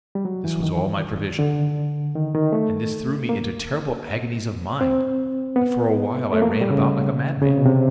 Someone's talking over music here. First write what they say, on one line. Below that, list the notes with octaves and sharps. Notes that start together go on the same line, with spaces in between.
This was all my provision; and this threw me into terrible agonies of mind, that for a while I ran about like a madman.
G3
F#3
E3
D#3
D3
D#3
D#3
A3
A#3
C4
B3
A3
A#3
G3
C#3
C#3
C3
B2
C3